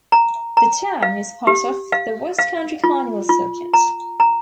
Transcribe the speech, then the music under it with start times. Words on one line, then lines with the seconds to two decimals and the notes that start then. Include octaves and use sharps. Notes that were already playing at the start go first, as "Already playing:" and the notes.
The town is part of the West Country Carnival circuit.
0.12 A#5
0.57 A#5
1.03 F5
1.47 G4
1.92 F5
2.39 F5
2.84 F4
3.29 F4
3.74 A#5
4.20 A#5